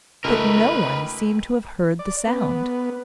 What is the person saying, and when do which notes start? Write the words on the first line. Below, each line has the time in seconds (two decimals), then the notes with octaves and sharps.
But no one seemed to have heard the sound.
0.24 C#2 D#3 A3 A#4 B4
1.99 D5
2.27 B3